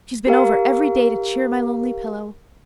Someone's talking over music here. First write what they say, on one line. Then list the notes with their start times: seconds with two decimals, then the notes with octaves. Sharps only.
She's been over every day to cheer my lonely pillow.
0.27 G4 A#4 F5